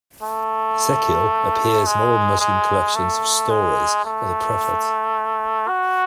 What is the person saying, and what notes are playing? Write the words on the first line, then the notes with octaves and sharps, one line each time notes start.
Ezekiel appears in all Muslim collections of "Stories of the Prophets".
A3
G#3
G#3
A3
G#3
A3
F#4